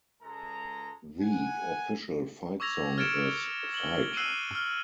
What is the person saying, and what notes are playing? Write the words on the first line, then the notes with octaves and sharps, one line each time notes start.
The official fight song is Fight!
C#2 G#3 G#4 A4 A#5
F#5 G#5
C#6 D6 E6 G#6 A#6 F7
F6 G#6 A6 C#7 D7 E7
F#7 G7
E6 F#6 C7 D#7 F#7
F6